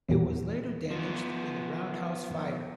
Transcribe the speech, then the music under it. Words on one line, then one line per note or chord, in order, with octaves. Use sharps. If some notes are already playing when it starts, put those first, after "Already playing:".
It was later damaged in a roundhouse fire.
E2 A#2
F3 B3